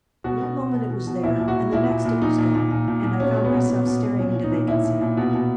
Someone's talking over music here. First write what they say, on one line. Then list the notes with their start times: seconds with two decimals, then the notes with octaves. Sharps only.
One moment it was there and the next it was gone, and I found myself staring into vacancy.
0.24 B2 F#4
0.41 B2
0.57 B2
0.74 B2
0.90 B2
1.07 B2
1.23 A#2 E4
1.39 A#2
1.48 F#4
1.56 A#2
1.72 A#2 E4
1.89 A#2
2.05 A#2
2.22 A#2 D#4
2.38 A#2
2.55 A#2
2.71 A#2
2.88 A#2
3.04 A#2
3.20 B2 C#4
3.37 B2
3.44 B3
3.53 B2
3.70 B2
3.86 B2
4.03 B2
4.18 A#2 C#4
4.35 A#2
4.43 D#4
4.51 A#2
4.68 A#2 E4
4.84 A#2
5.01 A#2
5.17 B2
5.34 B2